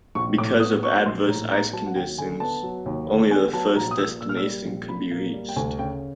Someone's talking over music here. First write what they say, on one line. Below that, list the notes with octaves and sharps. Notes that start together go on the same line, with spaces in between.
Because of adverse ice conditions, only the first destination could be reached.
A#1 C#6
A2 D6
B3 D#6
F#3 C#6
A#1 C6
A2 A#5
B3 A#5
F#3 A5
F#5
D#2 G5
D3 G#5
B3 A5
F#3
D#2
D3
B3 G#5
F#3 A5
A#1 A#5
D#6
A#2 E6
A#3 E6
F6
E6
G3
A#1
A#2 B5
A#3
G3
G5
D2 G#5
C#3 G5